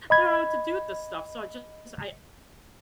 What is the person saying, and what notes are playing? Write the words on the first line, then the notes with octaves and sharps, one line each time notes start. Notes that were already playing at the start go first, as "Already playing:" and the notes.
don't know what to do with this stuff. So I just I
D#5 B5 G#6